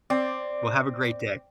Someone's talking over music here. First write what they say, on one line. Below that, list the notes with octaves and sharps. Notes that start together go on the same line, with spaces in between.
Well, have a great day.
C4 D5